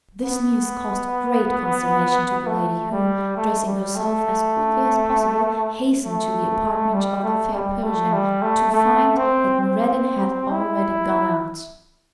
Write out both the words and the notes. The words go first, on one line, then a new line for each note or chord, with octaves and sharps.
This news caused great consternation to the lady, who, dressing herself as quickly as possible, hastened to the apartment of the fair Persian, to find that Noureddin had already gone out.
B3
A3
G3
A3
G3
A3
A3
G3
A3
G3
A3
G3
A3
A3
C4
C4
E4